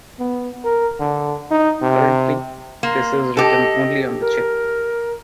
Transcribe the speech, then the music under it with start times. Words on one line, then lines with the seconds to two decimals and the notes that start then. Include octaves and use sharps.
Currently, this is written only on the chip.
0.19 B3
0.64 A#4
1.00 D3
1.51 D#4
1.82 C3
2.83 A#3 C6
3.37 G4 A4 D#5
4.20 A#4